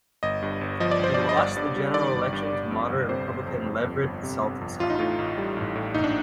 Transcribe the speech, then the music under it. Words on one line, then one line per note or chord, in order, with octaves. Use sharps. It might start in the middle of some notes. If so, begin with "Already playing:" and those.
He lost the general election to moderate Republican Leverett Saltonstall.
G1 D#5
G2
G1
F3 D#5
D5
G1 C5
G2 D5
D#5
G1 D5
G2
G3
D#3 D5
G1
G2
G1
F2
G1
C3 C5
G1
F2
G1
F2
G1
C3
G1
F2
A1 F4
D#4
A2 F4
A1
G3
A1
A2
A#1 D#4
D4